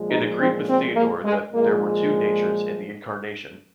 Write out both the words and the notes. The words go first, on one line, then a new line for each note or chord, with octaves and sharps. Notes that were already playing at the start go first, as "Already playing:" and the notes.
It agreed with Theodore that there were two natures in the Incarnation.
Already playing: A#2 F3 G#3
D#4
C4
C4
A#3
G#3
A#2 F3 G#3 A#3